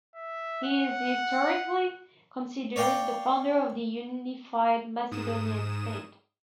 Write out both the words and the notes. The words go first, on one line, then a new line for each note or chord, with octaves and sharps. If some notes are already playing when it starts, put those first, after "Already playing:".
He is historically considered the founder of the unified Macedonian state.
E5
F#5
C#5 D5 F5 G5 D6
G#2 D#6 E7